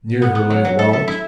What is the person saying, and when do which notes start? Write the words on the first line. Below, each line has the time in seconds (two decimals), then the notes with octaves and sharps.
Near her lay a wallet.
0.21 B3 F#5
0.35 B3
0.50 F#3
0.65 F#3
0.78 A4 E5
0.93 A4
1.08 E4